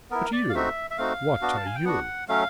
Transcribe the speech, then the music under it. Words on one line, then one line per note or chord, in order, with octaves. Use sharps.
But you--what are you.'
B3 E4 A#4
D5
F5
A3 C4 D#4 F#4 E5
E5
A3 C4 D#4 F#4 F5
B3 D4 F#4
A5
G#5
G5
B3 D4 F#4 F#5
F#3 A3 C#4 F5